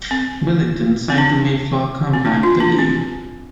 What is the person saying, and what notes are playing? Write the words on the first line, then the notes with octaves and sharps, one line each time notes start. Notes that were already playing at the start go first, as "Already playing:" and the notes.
Billington signed the Mayflower Compact that day.
C4
C4
D4
C4
D4
F4
D4
C4